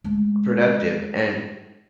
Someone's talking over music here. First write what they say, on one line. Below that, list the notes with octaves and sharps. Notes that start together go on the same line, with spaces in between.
productive and
G#3 A3